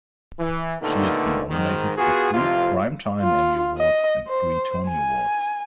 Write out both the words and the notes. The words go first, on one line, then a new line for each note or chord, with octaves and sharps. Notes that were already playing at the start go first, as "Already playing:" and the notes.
She has been nominated for three Primetime Emmy Awards and three Tony Awards.
E3
D#2 A#2 D3 D#3 A3 B3
G#2 D#3
B3 F4 F#4 G#4
A1 F2 C3 F4
F4
D#5
C5
G#5